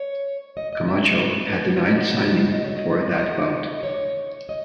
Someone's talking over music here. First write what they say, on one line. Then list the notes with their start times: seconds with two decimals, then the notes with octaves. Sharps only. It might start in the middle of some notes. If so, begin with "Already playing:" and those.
Camacho had denied signing for that bout.
Already playing: C#5
0.57 D#5
0.73 D#5
0.88 E5
1.05 D#5
1.22 B4
1.86 B2 F#3 D#5
2.52 D#5
2.64 C#5
2.76 D#5
3.18 D#5
3.78 D#5
3.83 C#5
4.49 D#5